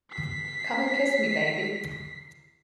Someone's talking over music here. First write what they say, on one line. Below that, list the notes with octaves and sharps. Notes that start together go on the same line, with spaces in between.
Come and kiss me, baby.
B6 C7